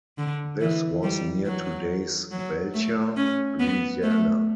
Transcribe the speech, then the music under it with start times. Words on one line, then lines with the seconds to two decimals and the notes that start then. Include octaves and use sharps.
This was near today's Belcher, Louisiana.
0.18 D3
0.61 E3
1.03 G3
1.46 F#3
2.31 F#3
2.74 A3
3.17 C#4
3.60 B3
4.03 A3